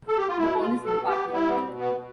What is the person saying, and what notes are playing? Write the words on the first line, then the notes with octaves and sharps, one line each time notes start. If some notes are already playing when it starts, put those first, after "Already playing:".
The police dept.
A4
G4
F4
B2 E4
F4
B2
A4
B3
G4
G3 E4
B3
C4
B2
B3
B2